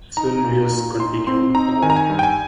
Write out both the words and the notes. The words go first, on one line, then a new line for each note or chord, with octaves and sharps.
Sylvius continued on.
D#4 A#5
A#2
A#2
D#4 C6
C4 C6
D#4 A#5
D#3 G#5
A#5
G#5
G2
G5
G#5